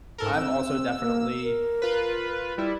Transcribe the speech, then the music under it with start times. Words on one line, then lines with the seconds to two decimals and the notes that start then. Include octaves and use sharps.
I'm also definitely
0.18 G#2 A4 A#4
0.33 C4 E6
1.00 A#3
1.43 A#4
1.82 F4 B4
2.58 G3 E4